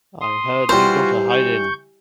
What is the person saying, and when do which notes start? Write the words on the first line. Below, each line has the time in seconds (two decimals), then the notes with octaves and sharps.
I heard you got a hiding.
0.21 C6 D#6
0.69 E3 G3 F4 F#4 C5
1.30 C#6 G6